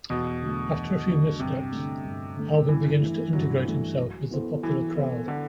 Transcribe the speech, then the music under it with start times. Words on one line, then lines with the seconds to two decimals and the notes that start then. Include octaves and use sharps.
After a few missteps, Alvin begins to integrate himself with the popular crowd.
0.10 E2 B2
0.42 D3 F#3 A3
0.75 E2
1.07 D3 F#3 A3
1.39 G2 C3
1.72 D3 A3
2.04 G2
2.37 D3 A3
2.68 G2 E3
3.01 E3 A3 E4
3.33 G2 F#3
3.65 E3 A3 E4
3.98 F#3
4.31 B3 E4 A4 C5
4.63 E3 F#3
4.95 B3 E4 A4 C5
5.28 D3